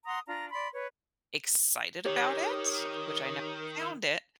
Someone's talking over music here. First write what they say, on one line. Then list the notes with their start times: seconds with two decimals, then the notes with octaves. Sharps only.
excited about it, which I ne found it,
0.06 F#5 A#5 C6 D#6
0.28 D4 F4 A#5
0.52 D5 B5 C6
0.73 B4 C#5
2.05 D#3 G4 C#5